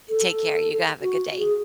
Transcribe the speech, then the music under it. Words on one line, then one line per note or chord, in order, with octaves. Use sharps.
Take care. You go have a good day.
A4
F#4
G#4